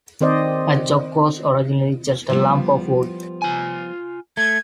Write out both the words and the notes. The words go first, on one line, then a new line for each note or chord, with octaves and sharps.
A "chock" was originally just a lump of wood.
D#3 C4 C5 D5 D#5
F3 G3 B3
F4 G#5
A3 G#6